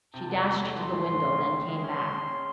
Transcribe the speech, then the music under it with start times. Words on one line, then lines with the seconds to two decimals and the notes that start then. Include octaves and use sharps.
She dashed to the window, then came back.
0.14 C3 A5
0.30 E2
0.45 F#3
0.60 A3
0.75 E3 C6
0.91 G#2
1.07 A3
1.22 C#4
1.38 C#3
1.53 D#2
1.68 G#3 C6
1.84 C#4
1.99 G#3
2.15 C#3
2.30 C#4